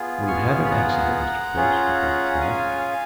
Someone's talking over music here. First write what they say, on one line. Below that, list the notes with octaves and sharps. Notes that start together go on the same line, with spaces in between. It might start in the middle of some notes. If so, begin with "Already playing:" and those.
"We've had an accident, Mr. Phipps," replied Tad.
Already playing: B3 F4 G#4
C#6 F6
B5
F#5 A#5
C#4 F4 G#4
F5 G#5